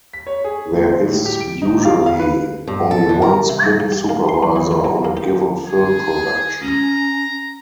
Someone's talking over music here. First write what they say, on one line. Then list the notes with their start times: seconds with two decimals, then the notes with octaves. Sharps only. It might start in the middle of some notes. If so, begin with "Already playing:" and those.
There is usually only one script supervisor on a given film production.
0.14 B6
0.27 C#5
0.44 G#4
0.73 A3
0.87 F4
1.06 A2
1.25 G4
1.40 D7
1.62 D#4
1.85 F5
2.06 F5
2.19 B4
2.67 G2
2.91 A4
3.09 E3
3.22 A#4
3.49 C3
3.63 G2
3.80 G2
3.92 G4
4.09 A#3
4.29 C6
4.43 F#2
4.56 E3
4.71 A2
4.84 F#3
5.05 A#3
5.17 G4
5.66 G#4
6.61 C#4 A#5